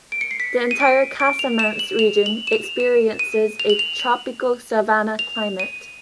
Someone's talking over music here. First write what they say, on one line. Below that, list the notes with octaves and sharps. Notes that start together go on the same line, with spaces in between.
The entire Casamance region experiences a tropical savanna climate.
D7
C#7
C7
B6
D#7
D7
D7
F7
E7
F#7
F7
F#7
E7
F7
E7
D#7
F7
F#7
F7
F#7
F7
D#7